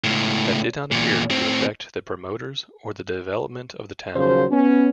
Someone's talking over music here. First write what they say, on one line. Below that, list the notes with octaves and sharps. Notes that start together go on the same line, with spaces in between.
That did not appear to affect the promoters or the development of the town.
C#2 A2
E2 A#2
A2 C4
D#2 A#2 C#3 F3 F#3 C5
B3 C#4